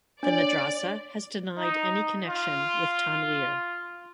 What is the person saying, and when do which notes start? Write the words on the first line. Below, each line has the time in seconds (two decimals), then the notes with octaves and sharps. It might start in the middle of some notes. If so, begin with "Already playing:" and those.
The madrasa has denied any connection with Tanweer.
0.23 D4 C#5 D5
1.57 D#4
2.28 F4